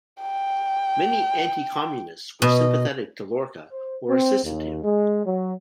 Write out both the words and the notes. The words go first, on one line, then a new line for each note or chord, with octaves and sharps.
Many anti-communists were sympathetic to Lorca or assisted him.
G5
B2 D#5
C5
C4
D#2
G#3
F#3